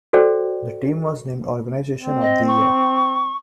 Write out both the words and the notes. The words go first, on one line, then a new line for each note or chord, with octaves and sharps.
The team was named Organization of the Year.
F#4 A4 C5 D5 G5
C4
D#5
C#6